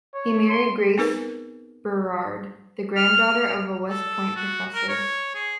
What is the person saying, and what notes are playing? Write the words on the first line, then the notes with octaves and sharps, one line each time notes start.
He married Grace Berard, the granddaughter of a West Point professor.
C#5
C6
B3 C4 D#4 G#4 A#4 B4
F6
A4
F#4
A#4
C#5
G#4